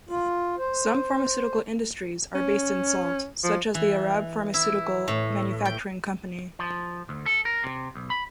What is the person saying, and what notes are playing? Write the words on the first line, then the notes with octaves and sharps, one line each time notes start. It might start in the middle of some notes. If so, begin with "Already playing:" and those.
Some pharmaceutical industries are based in Salt, such as the Arab Pharmaceutical Manufacturing company.
F4
C5
C#4
F3
E3
E4
A2
G5
F3
D2
A4
A#4
C3
B1
B5